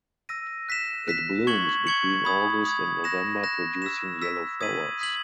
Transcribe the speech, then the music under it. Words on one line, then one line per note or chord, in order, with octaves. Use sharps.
It blooms between August and November producing yellow flowers.
E6 A#6 D#7
F#6 B6 E7
F#6 B6 E7
C#6 G#6 C#7 F#7
C#6 G#6 C#7 F#7
B5 D#6 G#6
B5 D#6 G#6
F#6 A#6 E7
F#6 A#6 E7
E6 B6 E7
E6 B6 E7
D#6 G#6 B6 D#7 F#7
D#6 G#6 B6 D#7 F#7